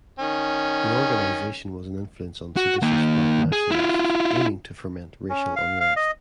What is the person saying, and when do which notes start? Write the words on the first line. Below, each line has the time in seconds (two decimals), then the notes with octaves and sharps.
The organization was an influence on seditious black nationalists, aiming to foment racial unrest.
0.19 D#3 C#4
2.57 F#4
2.82 D#3 A#3
3.52 G#4
3.71 E4 F4
5.30 C#4
5.56 F5
5.80 F5
5.96 D#5